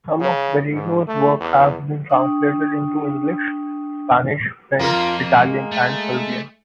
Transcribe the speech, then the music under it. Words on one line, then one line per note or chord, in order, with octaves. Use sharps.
Some of Barreiros's work has been translated into English, Spanish, French, Italian and Serbian.
C#3
G#2
A3
E2
D4 G5 C#6 D#6
F2 A#3 F4 A#4
G#3
A3